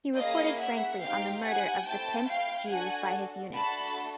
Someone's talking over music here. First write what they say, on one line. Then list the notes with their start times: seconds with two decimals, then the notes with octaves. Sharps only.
He reported frankly on the murder of the Pinsk Jews by his unit.
0.17 A#3 C#4 E4 G#4 D#5 F5
0.59 E5 F#5
1.01 C4 D#4 G4 F5 G5
1.43 F#5 G#5
1.85 A3 C4 E4 G5 A5
2.27 F5 G5
2.70 D4 F#4 A4 F#5 G#5
3.54 A3 D4 F#4 A4 A5 B5